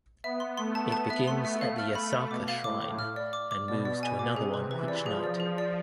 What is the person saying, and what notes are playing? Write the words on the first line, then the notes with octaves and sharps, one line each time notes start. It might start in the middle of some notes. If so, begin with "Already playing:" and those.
It begins at the Yasaka Shrine and moves to another one each night.
B3 E5
C6
A3 C6
A5
B3 A5
E5
A3 C6
E5
A3 F5
F6
B5
B5
B2 D6
F5
A2 D6
D6
F6
D5
D6
D6
B2 D5
D5
G#5
D6
C3 G#4
B4
E3 B4
D5
F3 G#4
D5
G#4
D5